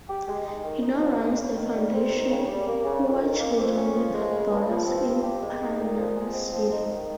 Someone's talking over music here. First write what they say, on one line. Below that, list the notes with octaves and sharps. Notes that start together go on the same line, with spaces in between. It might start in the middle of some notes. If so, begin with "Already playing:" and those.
He now runs the foundation, "Poor Children Without Borders" in Panama City.
G4
G#3
D#4
D#3
D#4
F3
G#3
C#3
D#3
G3
C4
D#3
C#3
G3
A#3
C#3
F2
D#3
A#3
F2
C#4
F3
G#3
C#3
G2
F3
C4
G2
G4
G#3
D#4
A#2
F3
G#3
C4
F3
D#4
D#3